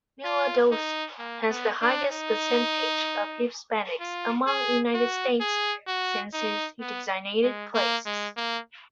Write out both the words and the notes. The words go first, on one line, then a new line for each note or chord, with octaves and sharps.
Mila Doce has the highest percentage of Hispanics among United States census-designated places.
F4
D#4
A#3
B3
D4
D#4
F4
G#4
F#4
G#4
F#4
D#4
B3
G#3
A#3
G#3
A#3